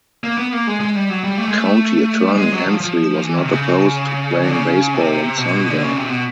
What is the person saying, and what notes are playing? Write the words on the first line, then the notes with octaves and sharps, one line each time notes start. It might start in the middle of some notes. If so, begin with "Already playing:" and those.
County attorney Hensley was not opposed to playing baseball on Sunday.
A#3
B3
A#3
G#3
G#3
G3
F#3
G3
A3
G#3
A3
G3
G#3
F#3
F3
F3
E3
D#3
C3
C#3
D3
C#3
C3
B2
D3
C#3
C3
B2